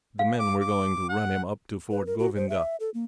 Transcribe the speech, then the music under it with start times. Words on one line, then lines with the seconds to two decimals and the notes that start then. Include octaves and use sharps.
The men were going to run him up to Fort Govindghar.
0.19 F5
0.39 D6
0.61 D6
1.09 F#5
1.91 B4
2.07 A#4
2.19 F#4
2.36 C5
2.49 E5
2.80 A4
2.94 A#3